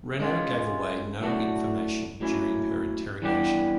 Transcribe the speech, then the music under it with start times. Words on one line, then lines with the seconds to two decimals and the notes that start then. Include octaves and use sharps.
Renault gave away no information during her interrogation.
0.20 G#3 C#4 F4
1.20 A2 F#3 A3 D4 F#4
2.20 A2 F#3 A#3 C#4 E4
3.22 E3 G3 B3 D4 G4